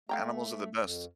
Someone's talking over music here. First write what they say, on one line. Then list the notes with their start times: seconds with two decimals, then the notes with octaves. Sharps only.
Animals are the best.
0.09 A3 F5 G5 A#5
0.79 F2